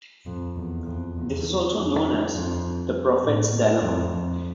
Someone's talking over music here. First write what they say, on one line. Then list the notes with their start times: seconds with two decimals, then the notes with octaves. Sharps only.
This is also known as the "prophet's dilemma".
0.26 F2
0.56 E2
0.86 F2
1.16 E2
1.75 F2
2.34 F2
3.23 A2
3.82 F2
4.12 F2